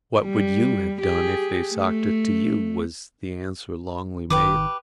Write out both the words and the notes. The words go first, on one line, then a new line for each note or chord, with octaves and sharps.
"What would you have done if they'd socked it to you?" was the answer Longley made.
G3
G4 G#4
A3
G#1 D#3 G4 B4 D6